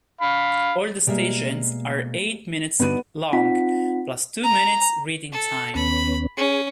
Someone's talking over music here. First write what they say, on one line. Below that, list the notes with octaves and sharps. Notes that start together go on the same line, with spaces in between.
All the stations are eight minutes long, plus two minutes reading time.
F5 B5
B2 G3 G#3 A#3 E5
G2 D3 B3 D#4 F#4 D5 D#7
C4 D#4 F4 F#5 B6
A#5
A4
D#2 B3 C#4 B5
C#4 G#4